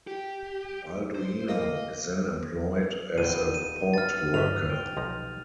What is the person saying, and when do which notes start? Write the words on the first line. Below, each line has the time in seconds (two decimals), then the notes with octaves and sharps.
Balduino is then employed as a port worker.
0.07 G4
1.15 C5
1.48 A#3 D#5
3.18 D#1 B3 G#4 G5 D#7
3.54 D#7
3.94 F6 A6
4.34 G1 F#3 D#5 E5 F7
4.69 G5
4.97 B1 F3 A#5